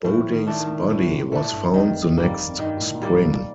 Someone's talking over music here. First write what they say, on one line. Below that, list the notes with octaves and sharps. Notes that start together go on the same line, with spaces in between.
Bodey's body was found the next spring.
A2 F3
D#3
A3 D4
D#3
A2 D3
C3
A#2 A3 D4
G2
F2 D#3
G2 G3 A#3
F2
F2
G2 D#3
A2
A#2
A2 G3 A#3
A#2